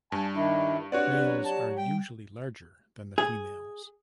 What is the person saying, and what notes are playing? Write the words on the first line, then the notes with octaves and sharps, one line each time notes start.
Males are usually larger than the females.
G2 G#5 A5
D#3 D4 E4
C4 D4 F#4 G4 B4 C#5 D5 F#5
F#3
G4 A5
G3 G5
G#4